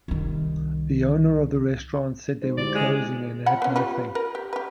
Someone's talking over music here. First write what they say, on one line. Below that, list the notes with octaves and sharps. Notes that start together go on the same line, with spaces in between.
The owner of the restaurant said they were closing and had nothing.
C2 D#3
G#3 D#4 C5
D3 E4 G4 D5
G#3
F3 F#5 B5
B3 C#4
F4 G4 B4
A#4 B4
G4
G4 B4